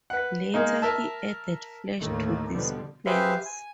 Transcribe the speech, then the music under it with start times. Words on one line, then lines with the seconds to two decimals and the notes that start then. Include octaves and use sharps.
Later, he added flesh to these plans.
0.10 B4 F#5
0.54 G#3 A#3 D#4
0.82 A#4 E5 A5
1.99 D#2 A2 D3 D#3 A3 A#3
2.52 B2 D3 F3 G3 B3
3.06 G4 G#4 B4 C5 E5 F5
3.46 G#5